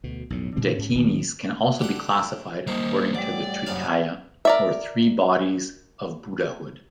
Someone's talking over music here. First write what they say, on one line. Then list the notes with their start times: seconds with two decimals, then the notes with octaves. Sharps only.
Dakinis can also be classified according to the Trikaya, or three bodies of buddhahood.
0.04 D2 B2
0.30 B1 F2 A2
0.56 A#2 D3 G3 C4
0.75 G#2 C#4
0.94 D1 D#3
1.79 D3 G4 F#5
2.68 D#3 G3 A#3 C5
3.15 A1 G3 D5 F#5
3.67 C2 F#2 F5
4.45 A#4 D5 E5